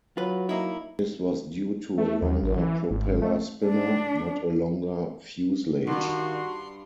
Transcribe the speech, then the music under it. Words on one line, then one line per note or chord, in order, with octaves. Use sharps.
This was due to a longer propeller spinner, not a longer fuselage.
F#3 F4 B4
A#3 D#4 E4
A3
D#2
A1
E3
G#1
A3
D4
G2 D#3 F#4 C6